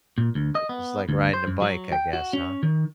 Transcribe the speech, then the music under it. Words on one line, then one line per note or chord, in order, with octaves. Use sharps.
It's like riding a bike, I guess, huh?
A#2
D2
D#5
B3
D2
C5
F#2
F#3
G5
F#4
C#4
D#3